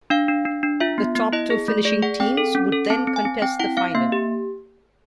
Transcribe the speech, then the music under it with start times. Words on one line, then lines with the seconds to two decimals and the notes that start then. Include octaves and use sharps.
The top two finishing teams would then contest the final.
0.10 D4 F5
0.28 D4
0.45 D4
0.63 D4
0.80 F4 E5
0.98 B3
1.15 B3
1.33 E4 D#5
1.50 G#4
1.68 A3
1.85 G#4 D5
2.03 G#4 F#5
2.20 C4 G5
2.37 A4
2.55 C#4
2.72 A4
2.90 C4 A5
3.07 C4
3.16 G#5
3.25 C4
3.42 C4 G5
3.60 E4 F#5
3.77 C4 F5
3.95 A#3 E5
4.12 G4